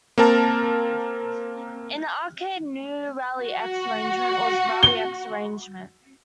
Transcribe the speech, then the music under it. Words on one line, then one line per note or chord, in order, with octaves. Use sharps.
In the arcade, "New Rally-X Arrangement" was "Rally-X Arrangement".
A#3 C4 A#4 A5
F#4
G7